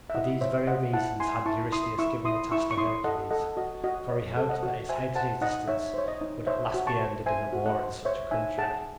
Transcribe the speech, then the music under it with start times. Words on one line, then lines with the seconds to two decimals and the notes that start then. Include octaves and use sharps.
For these very reasons had Eurystheus given the task to Hercules, for he hoped that his hated existence would at last be ended in a war in such a country.
0.10 E5
0.14 E4 D#5 F#5
0.41 C5 C#5 E5
0.67 C5 D#5 F#5
0.93 E4 F#5 A5
1.20 E4 G#5 C6
1.46 E4 A5 C#6
1.72 E4 C6 D#6
1.99 E4 C#6 E6
2.25 E4 C6 D#6
2.51 E4 C#6 E6
2.71 C#6
2.78 E4 C6 D#6
3.04 A4 D#5 F#5
3.31 A4 D#5 F#5
3.57 F#4 D#5
3.84 F#4 D#5
4.10 C#5 D#5
4.37 A4
4.49 D#5 F#5
4.63 F#4
4.89 C5 E5 G#5
5.15 C5 F#5 A5
5.41 D#4 D#5 F#5
5.68 D#4 C#5 E5
5.94 C5 C#5
6.08 D#5
6.21 D#4
6.47 C5 C#5 E5
6.74 F#4
6.87 A5 C#6
7.00 C5
7.26 C5 E5 G#5
7.53 F#4
7.66 D#5 F#5
7.79 C5
8.05 C5 C#5 E5
8.31 D#4 E5 G#5
8.58 G#4 F#5 A5